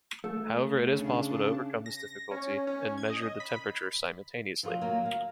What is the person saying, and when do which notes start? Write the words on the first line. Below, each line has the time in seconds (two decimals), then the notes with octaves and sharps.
However, it is possible to overcome this difficulty and measure the temperature simultaneously.
0.24 A3
0.93 C#3 D4 A5
1.86 A#6
2.31 C#4
2.67 C#4
2.98 G#6
3.10 D#5
3.40 B5
4.63 F3 F#3 F4
4.81 D#3 F#3 A#3
5.06 F5